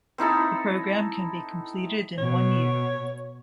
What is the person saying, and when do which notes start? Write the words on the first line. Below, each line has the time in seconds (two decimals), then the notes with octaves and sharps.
The program can be completed in one year.
0.18 C4 D#4 E4 A4
2.19 B2 C#5